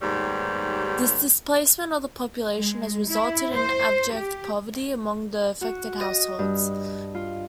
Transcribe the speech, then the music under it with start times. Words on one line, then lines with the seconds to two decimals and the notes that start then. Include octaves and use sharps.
This displacement of the population has resulted in abject poverty among the affected households.
0.02 D#2 G#2 G3 B3 G4 C#5
2.57 G#3
3.09 E4
3.53 C5
4.13 G4
5.61 F#4
6.01 D#5
6.39 G2
7.15 F4